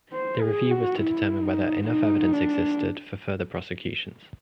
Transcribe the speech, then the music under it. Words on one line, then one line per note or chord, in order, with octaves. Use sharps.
The review was to determine whether enough evidence existed for further prosecutions.
C5
G#4
F#4
E4
D#4
D#4
D4